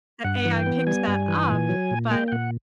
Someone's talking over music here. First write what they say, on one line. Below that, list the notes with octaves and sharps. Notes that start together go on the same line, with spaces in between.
that AI picked that up, but,
G2 F#5
E3
G5
B3
G3 G#5
G2
E3
A#2
F#3
A#2
A#3 G5
G5
A#2 F#5